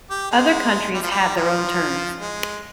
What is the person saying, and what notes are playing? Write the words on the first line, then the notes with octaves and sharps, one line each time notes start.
Other countries had their own terms.
G4
G#3
G3
F3
G3
F3
G#3